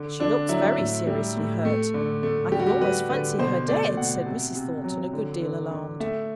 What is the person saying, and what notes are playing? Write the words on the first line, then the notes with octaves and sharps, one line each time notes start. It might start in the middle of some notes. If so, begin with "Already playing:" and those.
'She looks very seriously hurt,--I could almost fancy her dead,' said Mrs. Thornton, a good deal alarmed.
Already playing: D3
D3 D4
F#3 E4
A2
G3
A2
A3
D3
A3
G3 G4
F#4
G4
G3 B4
D3 B4
B2 C5
A3 D5
B2 F#5
C3
C3
F#3
D3
D3
D3
A3 E5